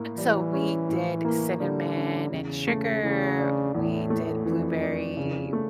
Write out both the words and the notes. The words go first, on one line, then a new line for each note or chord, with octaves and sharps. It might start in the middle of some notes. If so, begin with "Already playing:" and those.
So, we did cinnamon, and sugar. We did blueberry
Already playing: A2 A#3
E3 G3
C#4
A2
A#3
D3 G3
C#4
E2 C#3
A3
C#3 E3
D4
E2 A2
A3
F2 E3
D4
F2 C#3
A3